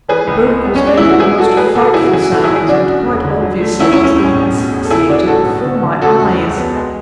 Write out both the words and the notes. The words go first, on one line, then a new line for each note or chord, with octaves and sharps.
Burke was making the most frightful sounds and quite obviously was being asphyxiated before my eyes!
E3 G#4 B4
C#2
G#3
B3
C#4
B3 D4
E3 E4
F#4
F#3 E4 G#4
F#3 F#4 A4
A3 G#4 B4
B2 F#4 A4
C#3 E4 G#4
F#4
E3 E4 G#4
B1 F#4 A4
E4 G#4
B1
E4 G#4
C#3 D4 F#4
F#2
E1
D3
F#3
A3
D2 C#4 E4
C#4 E4
E1
C#4
A2
C#4
B1
B2
E1
A4
C#3 E4 G#4
B3 D4 F#4
A2 F#4 A4
B1
D3
D3
C#3 F#4 A4
E1
C#2
B3
G#3